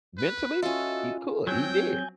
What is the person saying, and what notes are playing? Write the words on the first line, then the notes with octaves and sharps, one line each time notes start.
mentally, he could, he did
B4
C#4 F4 F#4 A4 D#5 E5
F#3 C4 G5 G#5 G6